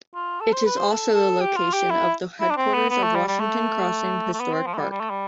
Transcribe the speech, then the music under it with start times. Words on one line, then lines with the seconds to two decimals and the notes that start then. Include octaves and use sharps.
It is also the location of the headquarters of Washington Crossing Historic Park.
0.15 F4
0.40 A4
0.53 C5
0.66 B4
0.77 C5
0.90 A4
1.15 A4
1.40 G4
1.57 F4
1.73 G4
1.90 E4
2.41 E4
2.50 D4
2.57 C4
2.74 B3
2.90 B3
3.03 A3
3.15 G3
3.27 G3
3.40 A3
4.34 A3
4.40 B3
4.53 C4
4.66 F3
4.74 A3
4.78 G3
4.91 G3
5.00 A3
5.10 G3